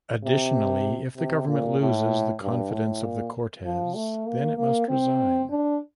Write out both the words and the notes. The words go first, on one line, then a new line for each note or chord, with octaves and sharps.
Additionally, if the Government loses the confidence of the Cortes, then it must resign.
C3
C3
A#2
A2
G2
A2
A#2
F3
A3
A#3
A#3
C4
D4